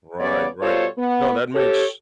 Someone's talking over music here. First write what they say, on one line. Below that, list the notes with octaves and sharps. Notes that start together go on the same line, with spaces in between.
Right, right. No, that makes
C#3 G3 B3 C#5 D5
B2 G3 F4 A4 C5 C#5
B3
G4 A4 C#5